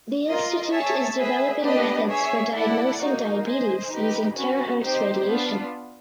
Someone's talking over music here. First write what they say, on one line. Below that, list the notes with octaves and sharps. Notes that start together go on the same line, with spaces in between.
The institute is developing methods for diagnosing diabetes using terahertz radiation.
F4 A#4 D#5
G#4 C#5 E5 A5
G#4 B4 E5
B3 D4 G4 B4 D#5
G#4 C#5 E5
E4 A4 D5 F#5
A#3 D#4 F#4 A#4
G#4 C5 D#5
D#4 G4 B4
C#4 F#4 B4
C4 D#4 G4 C5
B3 D4 F4